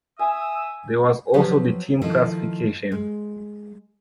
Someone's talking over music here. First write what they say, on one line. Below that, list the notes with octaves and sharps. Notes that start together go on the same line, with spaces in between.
There was also the team classification.
E5 G#5 D#6 E6
F3 F#3 F#4 G4 B4 C5
D#3 F3 A3 D#4 E4
G#3